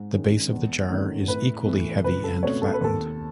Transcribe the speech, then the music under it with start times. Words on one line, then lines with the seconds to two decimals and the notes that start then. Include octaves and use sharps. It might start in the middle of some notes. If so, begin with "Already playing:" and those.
The base of the jar is equally heavy and flattened.
Already playing: G#2
0.13 D#3 G#3 C#4
0.51 E2
0.90 D#3 A3 C#4
1.28 A2 B4
1.66 E3 A3
2.04 C#2 B4
2.24 A4
2.43 B2 A3 C#4 C#5
2.62 A4
2.74 B4
2.81 D#2 A4